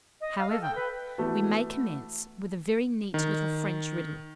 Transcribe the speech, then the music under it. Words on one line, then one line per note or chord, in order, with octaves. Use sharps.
However, we may commence with a very neat little French riddle.
D#5
F5
A4
G5
B4
E3 A3 B3 F#4
D#3